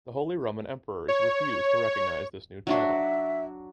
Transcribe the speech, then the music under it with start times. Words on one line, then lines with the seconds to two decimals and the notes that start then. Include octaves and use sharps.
The Holy Roman emperors refused to recognise this new title.
1.08 C#5
2.67 F#3 D4 F#4 E5